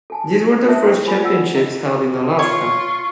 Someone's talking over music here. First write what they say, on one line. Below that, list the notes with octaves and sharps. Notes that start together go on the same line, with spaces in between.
These were the first championships held in Alaska.
A4 G#5 A5
C#5 E5 A5 D#6
E4 C5 G5 C#6
F4 A4 G#5 B5
F4 D5 F#5 E6
E4 D#5
F4 C#5 C#6